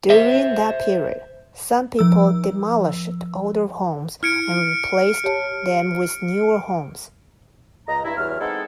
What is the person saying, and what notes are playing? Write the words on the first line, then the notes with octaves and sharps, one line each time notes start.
During that period some people demolished older homes and replaced them with newer homes.
C5 E5
F3 E6
E4 F6 G#6 C#7 D7
G4 C#5 A5
C#2 D#5 A#5
G2 E4
E2 G2 F#3 E5 F6
G#3 B3 C4 D#4 E4 A4